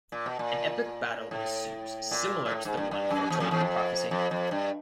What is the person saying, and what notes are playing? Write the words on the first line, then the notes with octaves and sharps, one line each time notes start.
An epic battle ensues similar to the one foretold in the prophecy.
A#2
B2
A#2
A2
A#2
A#2
A2
G#2
G2
G2
F#2
E2
F2
E2
F2
F2
F2
G2